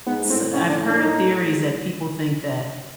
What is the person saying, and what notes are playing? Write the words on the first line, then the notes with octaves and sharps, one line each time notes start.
s I've heard theories that people think that
G#2 B3
G#2
A2 C4
C#4
D4
D4
D#4
G#2